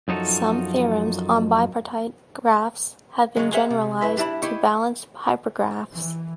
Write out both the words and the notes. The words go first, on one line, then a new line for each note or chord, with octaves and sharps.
Some theorems on bipartite graphs have been generalized to balanced hypergraphs.
F#2 F3 D#4 F#4 A4
C#3 F#3 G#3
G#3 G#4 A#4 C5 E5 F#5
C3
F#2 E4 B4 E5
G3 D4 E4 E5 B5
E4 G4 C#5 D#5
E3